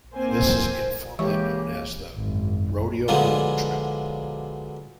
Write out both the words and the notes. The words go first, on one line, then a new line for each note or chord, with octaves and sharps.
This is informally known as the "Rodeo Road Trip".
A#3 C4 C5 G#5
C#3 E3 G#3 A#3 G4 C#6
G#1 F#2
D3 F3 F#3 G#3 B3 D4